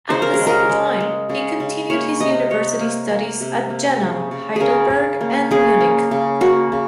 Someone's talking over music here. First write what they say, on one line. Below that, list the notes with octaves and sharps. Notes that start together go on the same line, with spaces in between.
At the same time he continued his university studies at Jena, Heidelberg and Munich.
C#3 C5
A#4
G#4
G#3
A#4
G#3
G#3
C#3
C#3
A#3 C#5
C3 D#5
C3 C#5
A#3
A#3
C3
A#3
C#3
C#3
C#3 G#4 A#4
C#3
A#3
C#3 G#4
A#3
C#3
A#3 F#4
C#3